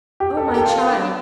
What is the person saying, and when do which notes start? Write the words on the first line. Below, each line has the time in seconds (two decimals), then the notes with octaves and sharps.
Oh, my child!
0.20 G4
0.37 A4
0.48 A#4
0.54 G4
0.57 A4
0.65 F4
0.78 F4
0.89 D4
1.01 D4